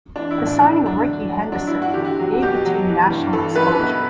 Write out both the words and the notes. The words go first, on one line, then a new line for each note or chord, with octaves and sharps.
The signing of Rickey Henderson gave the team national exposure.
E3 D4
E4
A2
D4
D3 D4
F#3 D4
D3
F#3
F#3 D4
E4
G2
F#4
D3 G4
F#4
F#3
B2 G4
F#3
E3
G2
E3 A4
F#2 B4
B2